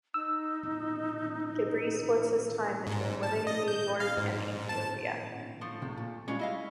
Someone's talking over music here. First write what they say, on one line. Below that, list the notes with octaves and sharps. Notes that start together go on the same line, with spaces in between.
Gebre splits his time between living in New York and Ethiopia.
D#4 E6
G#2
A5
D#5
G6
F5
G#2
A5
F3 A3
C#2 C3
A#2
G3 G#3 C#4 F4
E4 D#5 F5